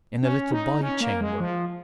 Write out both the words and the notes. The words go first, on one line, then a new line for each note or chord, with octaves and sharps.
In a little by-chamber....
C#4
D#4
C#4
A#3
G#3
F3